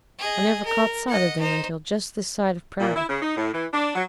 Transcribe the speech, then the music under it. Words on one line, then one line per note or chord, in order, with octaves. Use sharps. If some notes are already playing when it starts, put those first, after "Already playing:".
I never caught sight of them until just this side of Prouty.
G#4 D#5
A#4
D#5 F#5
D#4 C5
A#2
E4
C#3
D#4
A2
E3
D4
F#3